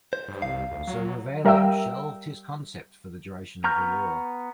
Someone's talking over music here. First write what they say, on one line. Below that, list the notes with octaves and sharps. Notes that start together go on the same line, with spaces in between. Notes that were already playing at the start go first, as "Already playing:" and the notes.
So Ravelo shelved his concept for the duration of the war.
C5
G2
C2 F5
D2
F#3
G3 A#4 E5 F5 G5 E6
B3 A#5 C#6 F6 G6